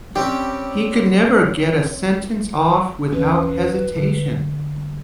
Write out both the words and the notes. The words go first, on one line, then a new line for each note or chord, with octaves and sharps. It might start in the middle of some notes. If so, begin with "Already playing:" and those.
He could never get a sentence off without hesitation.
G3 C4 C#4 G4
D#2 E3 C#4 B4
D3